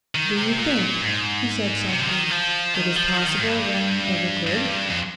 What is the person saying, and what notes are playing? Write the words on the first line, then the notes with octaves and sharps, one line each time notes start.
'Do you think,' he said softly, 'it is possible one ever could?'
D#3
C3
A#2
G#2
C3
D3
D#3
F3
D#3
F3
D#3
D#3
G#2
G2
G2
F2